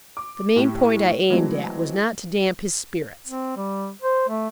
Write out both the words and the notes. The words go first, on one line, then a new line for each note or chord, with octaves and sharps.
The main point I aimed at was not to damp his spirits.
D6
A2 G4
E3 F#3 G#3 A3 C4
C4
G3
C5
A3